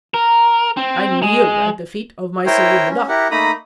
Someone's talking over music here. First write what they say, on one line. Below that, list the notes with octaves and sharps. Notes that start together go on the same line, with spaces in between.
I kneel at the feet of my silver Buddha.
A#4
C4
G#3
E4 A#4 C5 C#5 G5
C#4
E4 G4 A#4 F#5
A3 A#3 D#4 A#5 B5 D#6